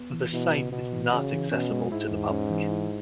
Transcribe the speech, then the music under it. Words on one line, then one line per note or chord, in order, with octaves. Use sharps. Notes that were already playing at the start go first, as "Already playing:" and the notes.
The site is not accessible to the public.
Already playing: B3
E3
B2 E4
C#3
B2 B3
E3
C#3 F#4
E3
B2 C#4
G#3
G#2 E4
E2
C#4
E3
E4